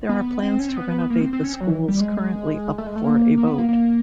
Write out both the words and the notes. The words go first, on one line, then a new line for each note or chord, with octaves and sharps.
There are plans to renovate the schools currently up for a vote.
B3
C4
C#4
C4
B3
A#3
C4
C4
C#4
C4
F#3
E3
G3
G#3
A3
G#3
A3
A#3
A#3
B3
A#3
A#3